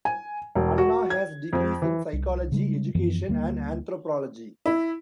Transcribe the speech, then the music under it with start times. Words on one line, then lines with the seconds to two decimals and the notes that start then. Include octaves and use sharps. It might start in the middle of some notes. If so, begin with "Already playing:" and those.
Anna has degrees in psychology, education and anthropology.
0.05 G#5
0.55 E1
0.78 F#4
1.10 G#6
1.53 F2
1.82 E3
2.13 C2
2.52 C#3 G3 G#3
2.95 F#2 E3 F3 B3
3.28 D2 G3 A3 A#3
4.66 E4